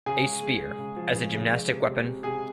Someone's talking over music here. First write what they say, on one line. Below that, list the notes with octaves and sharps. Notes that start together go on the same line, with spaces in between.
A spear, as a gymnastic weapon.
C#3 G#4 G#5
G#3
G#3
G#3
C#3
F3
C#3
C#3
G#3
C3
C3
C3
C3 G#4 G#5